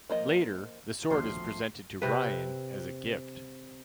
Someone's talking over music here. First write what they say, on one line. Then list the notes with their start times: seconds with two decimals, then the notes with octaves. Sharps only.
Later, the sword is presented to Ryan as a gift.
0.10 F3 A#3 D#5
1.10 A#1 D#2 F3 A3 C4 D4 F#4 C6
2.02 C3 B4